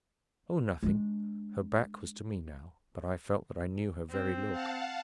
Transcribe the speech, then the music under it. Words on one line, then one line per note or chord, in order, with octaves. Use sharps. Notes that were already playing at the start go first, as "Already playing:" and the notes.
"Oh, nothing." Her back was to me now, but I felt that I knew her very look.
G#3 D4
C4
F5 F#5 A5